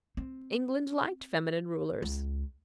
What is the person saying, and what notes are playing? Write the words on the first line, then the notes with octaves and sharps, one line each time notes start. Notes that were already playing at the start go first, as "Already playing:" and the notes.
England liked feminine rulers.
C4
C#2